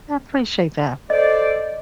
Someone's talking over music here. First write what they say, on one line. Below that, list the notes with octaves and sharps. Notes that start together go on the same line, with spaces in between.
I appreciate that.
A4 C5 D5 D#5